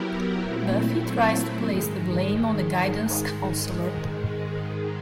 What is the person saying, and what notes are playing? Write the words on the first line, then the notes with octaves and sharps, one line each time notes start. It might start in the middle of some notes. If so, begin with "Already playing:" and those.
Buffy tries to place the blame on the guidance counsellor.
Already playing: F#3 B3 E4 G4 A#4
A#2 F#3 A3 C4 E4
G#2 D#3 G#3